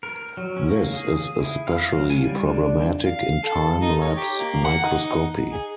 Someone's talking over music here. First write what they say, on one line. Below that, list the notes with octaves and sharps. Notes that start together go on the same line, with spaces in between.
This is especially problematic in time-lapse microscopy.
A#4
F#3
C#4
A#3
G#4
E4
F5
F#3
G#5
G3
D4
F5
A4
D#4
C#5
G4
A#3
F#5
D#4
G#4